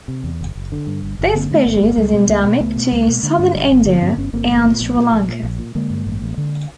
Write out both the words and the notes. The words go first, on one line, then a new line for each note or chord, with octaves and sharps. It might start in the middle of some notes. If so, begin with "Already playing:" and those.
This species is endemic to southern India and Sri Lanka.
C3
E2
F#1
F#1
D3
G2
G1
G1
D3 A#3 C4
G2
A3 B3
G1
G#3 A#3
G1
C#2 G3 A3
B2
C#2 G#3 A#3
B2
C#2 A3 B3
B2
C#2 G#3 A#3
B2
D3
G2
G1
G1
D3 A3 B3
G2 A#3 C4
G1 B3 C#4
G1 A#3 C4
A#1 A3 B3
A#2
A#1
A#2
A#1
A#2
A#1
A#2
D3 G#3 A#3
G2
A1
A1
D3